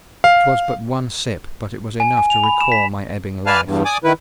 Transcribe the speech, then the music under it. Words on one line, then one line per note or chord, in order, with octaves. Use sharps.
It was but one sip but it was enough to recall my ebbing life.
F5
G#5
G#5
F7
B5
E7
B6
B4 D5 F5 G#5 A5 F6
E2 G2
D5 G#5 D6 D#6
D#3 E4 B4